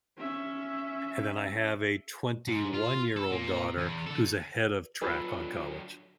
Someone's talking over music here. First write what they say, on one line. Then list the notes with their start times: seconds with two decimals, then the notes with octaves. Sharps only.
and then I have a twenty-one-year-old daughter who's ahead of track on college.
0.17 C#4 E5
2.48 G#2
2.74 F4
3.17 A4
3.31 A#2 A#3
3.77 E2
4.06 D3 A4
5.02 D3 F#3 F4 A4 B4